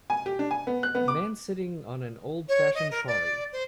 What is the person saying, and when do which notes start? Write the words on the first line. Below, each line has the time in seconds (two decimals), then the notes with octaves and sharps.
Man sitting on an old fashion trolley.
0.10 G#5
0.26 G4
0.39 D4
0.51 G#5
0.67 B3
0.83 F#6
0.95 B3
1.08 D6
2.48 C#5
2.74 D#5
2.90 A#4
3.07 D5
3.52 C5